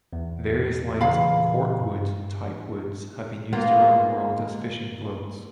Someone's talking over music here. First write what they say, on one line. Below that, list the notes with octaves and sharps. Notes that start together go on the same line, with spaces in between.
Various light "corkwood"-type woods have been used around the world as fishing floats.
E2
A#2 C#3 E3 F5 B5
G2
A#3 B3 F4